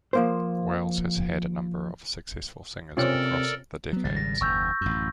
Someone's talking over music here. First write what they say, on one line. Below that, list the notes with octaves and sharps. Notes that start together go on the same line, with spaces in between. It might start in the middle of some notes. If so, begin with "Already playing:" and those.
Wales has had a number of successful singers across the decades.
F3 A#3 C5
C3 C4 C#4 F4 A4 A#4 D5
F#3 B3
G#1 C#3 G3 A6
A#6
F#1 D#2 C#6 E6 G6
A1 F#2